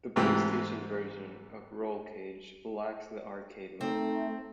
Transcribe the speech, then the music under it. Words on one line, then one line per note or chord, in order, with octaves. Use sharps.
The PlayStation version of Rollcage lacks the "Arcade" mode.
G#2 C3 E3 A3 G4
A3 C4 D#4